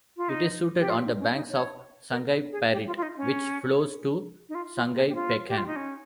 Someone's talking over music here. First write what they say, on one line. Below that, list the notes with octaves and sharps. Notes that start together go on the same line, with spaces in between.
It is situated on the banks of Sungai Parit which flows to Sungai Pekan.
F4
D#4
G4
F4
D#4
C#4
D#4
C#5
A#4
G#4
G4
F4
F4
D#4
C#4
D#4
F4
F4
G#4
G4
F4
G4
F4
D#4
C#4